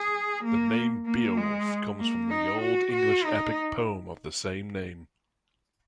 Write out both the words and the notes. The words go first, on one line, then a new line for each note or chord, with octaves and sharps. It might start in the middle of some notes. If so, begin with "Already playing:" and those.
The name "Beowulf" comes from the Old English epic poem of the same name.
Already playing: G#4
A#3
A#3
G#3
A#3
D#4
F#4
F#4
D#4